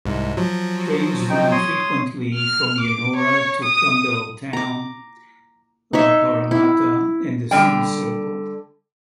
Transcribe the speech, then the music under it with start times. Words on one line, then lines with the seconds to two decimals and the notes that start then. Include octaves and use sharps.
Trains run frequently from Yennora to Campbelltown, Parramatta and the City Circle.
0.05 C2 G#2
0.37 F3 F#3
1.30 D#4 G5
1.52 C#5 C6 D#6
2.34 F6
2.80 D6
3.16 C#5
3.63 D#6
4.53 A#5 D6
5.93 D#4 C#5 E5
6.51 E4
7.51 D3 G3 G5